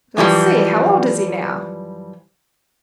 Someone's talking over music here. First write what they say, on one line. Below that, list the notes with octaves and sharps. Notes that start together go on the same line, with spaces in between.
"Let's see--how old is he now?"
F#2 E3 F3 G3